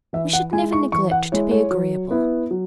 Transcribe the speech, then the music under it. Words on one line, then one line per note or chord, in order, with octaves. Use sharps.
We should never neglect to be agreeable.
E3 E5
F#5
G#3 E4 G#5
C#6
E3 C#6
F#5
G#3 E4 C#5
C#5
F#3
B3 E4
F#3